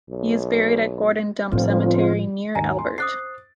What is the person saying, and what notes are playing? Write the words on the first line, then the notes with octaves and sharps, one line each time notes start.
He is buried at Gordon Dump Cemetery, near Albert.
B1
G1 A2 D3 F3 C4 F4
D#2 G#2 G#5 A#5
C6
C5 D6 D#6 F#6 A6 C7